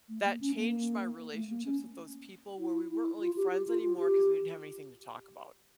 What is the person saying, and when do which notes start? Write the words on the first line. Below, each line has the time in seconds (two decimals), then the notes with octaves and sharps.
that changed my relationships with those people, where we weren't really friends anymore, 'cause we didn't have anything to talk about.
0.09 A3
0.25 A#3
0.41 C#4
0.55 A#3
1.33 A3
1.50 A#3
1.65 C#4
2.59 E4
2.90 E4
3.20 F4
3.37 G4
3.51 G4
3.68 F4
3.83 F4
3.99 G4